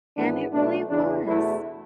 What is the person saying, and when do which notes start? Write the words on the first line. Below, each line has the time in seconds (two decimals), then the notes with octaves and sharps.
and it really was.
0.17 G#1 G#2 E3 B3 D4
0.52 B1 B2 A3 D4
0.90 E2 C#3 E3 D4
1.26 E2 B2 A3 E4